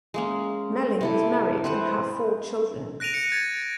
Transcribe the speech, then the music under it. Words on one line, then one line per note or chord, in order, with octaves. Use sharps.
Meling is married and have four children.
G#3 A#3 C#4
C3 E4 A4
C4 B4 C5 F#5
F#6 A#6 D7 D#7 F7
C#7
G#6 A6
G#6